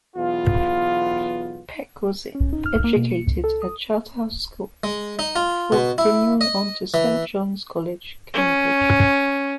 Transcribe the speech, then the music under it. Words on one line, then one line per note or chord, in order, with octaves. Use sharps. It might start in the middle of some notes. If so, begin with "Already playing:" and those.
Peck was educated at Charterhouse School, before continuing on to Saint John's College, Cambridge.
B1 E2 B3 F4
C#4
D#4
F6
A#3
B2
C#7
C#2
A4
D#6
G#3
D#4
F4
B2
E4
D#5
E3
C#4